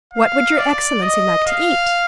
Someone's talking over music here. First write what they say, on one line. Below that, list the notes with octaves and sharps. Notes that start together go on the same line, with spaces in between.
"What would your excellency like to eat?"
F5
D5
D#5
F5